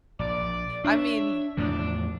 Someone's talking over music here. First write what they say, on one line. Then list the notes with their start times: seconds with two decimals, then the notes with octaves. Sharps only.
I mean y
0.19 A#1 D5
0.84 D4 C#5 E5
1.57 E2 A2 F3 D4